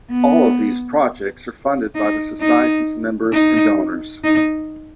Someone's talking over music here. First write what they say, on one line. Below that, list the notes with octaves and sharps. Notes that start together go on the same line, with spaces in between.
All of these projects are funded by the Society's members and donors.
B3
D#4
D#4
D#4
D#4